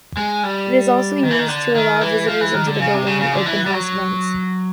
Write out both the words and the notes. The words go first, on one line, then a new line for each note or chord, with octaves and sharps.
It is also used to allow visitors into the building in open house events.
G#3
G3
D#3
E3
D#3
D3
D#3
E3
F3
E3
D#3
D3
C#3
C3
C#3
C#3
D3
E3
G3
F#3